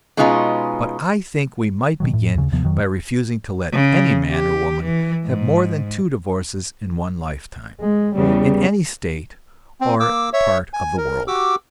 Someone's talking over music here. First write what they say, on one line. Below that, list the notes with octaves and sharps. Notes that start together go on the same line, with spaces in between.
But I think we might begin by refusing to let any man or woman have more than two divorces in one lifetime, in any state or part of the world.
B2 G#3 C#4 D#4 F4 B4
B2 D#3 F#3
A2
D#2 C#3
D#2 C3 F3 B3
F2 D#3 F#3
C#3
G4
E3
G#2
G#3
E2 C#3 G3
C4
A#3 D6 E6
C#5 E5
G#5
A#4
F#4 G4 D6 E6